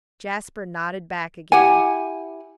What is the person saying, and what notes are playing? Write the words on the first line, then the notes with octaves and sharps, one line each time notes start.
Jasper nodded back again.
E4 G4 F#5 G#5